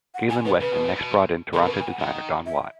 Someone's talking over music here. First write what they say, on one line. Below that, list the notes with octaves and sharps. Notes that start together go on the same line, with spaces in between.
Galen Weston next brought in Toronto designer Don Watt.
F#5
A#2 G#5
B2 B4
C#3 B4
B2
A#2
B2
C#3 A#4
B2
B4
C#3
G#5
F#5
D#3
E5